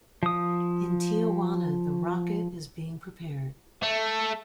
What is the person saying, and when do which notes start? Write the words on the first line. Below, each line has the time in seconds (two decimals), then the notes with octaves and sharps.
In Tijuana, the rocket is being prepared.
0.23 F3 D#6
3.83 A3